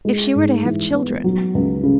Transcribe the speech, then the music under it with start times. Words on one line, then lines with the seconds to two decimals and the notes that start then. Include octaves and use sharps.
If she were to have children!
0.05 G#3
0.35 G#2
0.65 E3
0.95 B3
1.24 F#3
1.54 C#2
1.83 C#3